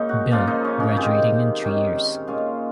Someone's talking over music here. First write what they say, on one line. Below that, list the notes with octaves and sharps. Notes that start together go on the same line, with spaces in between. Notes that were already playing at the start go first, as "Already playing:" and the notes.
Bill, graduating in three years.
Already playing: A#2 G#3 C#4 D#4
F#4
C#3 F3 A#3 F4
D#4
C#4
C#4
C3 D#3 G#3 C4 D#4
C3 D#3 G#3 C#4
A#2 G#3 C#4 F4